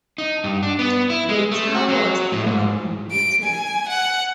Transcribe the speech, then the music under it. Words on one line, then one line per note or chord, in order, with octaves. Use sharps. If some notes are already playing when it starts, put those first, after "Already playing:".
The tower was never completed.
D#4
G2
D4
B3
E4
G#3
A3
F#4
F#3
A2
G#2
D7
G#5
F#5